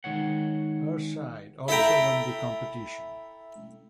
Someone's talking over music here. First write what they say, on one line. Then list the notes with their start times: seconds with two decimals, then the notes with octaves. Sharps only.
Her side also won the competition.
0.04 D#3 G#3 C#5 F#5
1.68 E4 A4 E5 G5 A#5